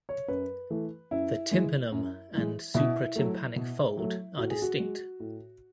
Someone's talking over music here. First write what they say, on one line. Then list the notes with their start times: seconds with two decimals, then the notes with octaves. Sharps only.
The tympanum and supratympanic fold are distinct.
0.09 C#5
0.28 F#2 B4
0.70 E3 A3
1.11 F#2 E4
1.51 E3 G#3
1.92 F#2
2.33 E3 G#3
2.74 B2 E4
3.16 F#3 A3
3.56 B2
3.97 F#3 A3
4.38 A2 F#4
4.50 G#4
4.62 F#4
4.80 G#3
5.20 A2